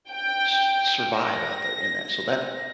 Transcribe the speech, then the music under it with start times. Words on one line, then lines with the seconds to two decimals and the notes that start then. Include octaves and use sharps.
s survive out there in that?" So that,
0.10 G5
1.19 A#6